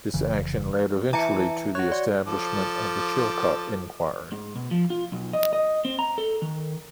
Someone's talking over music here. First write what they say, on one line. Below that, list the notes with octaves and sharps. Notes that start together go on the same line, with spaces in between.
This action led eventually to the establishment of the Chilcot Inquiry.
F1 C#3 E3
E3 E5 A5 A#5 C#7
F#4 C#5 F#6
D5
F3 A4 D6
G#2
B2
F3
F4
B1
D#5
D#5
C4
A#5
A4
D#3